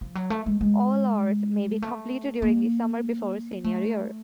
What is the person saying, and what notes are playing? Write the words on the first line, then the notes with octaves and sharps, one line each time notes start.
All hours may be completed during the summer before senior year.
F3
F#3
A3
G#3
G#3
A3
A#3
A3